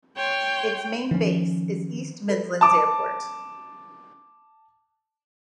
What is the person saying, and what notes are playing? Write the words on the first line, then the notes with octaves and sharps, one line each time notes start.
Its main base is East Midlands Airport.
C#5 G5 C6
D#3 F3 C#4
A4 B4
A5 D6